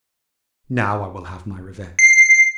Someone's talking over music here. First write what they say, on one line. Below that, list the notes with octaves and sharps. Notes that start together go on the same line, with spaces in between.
Now I will have my revenge.'
C7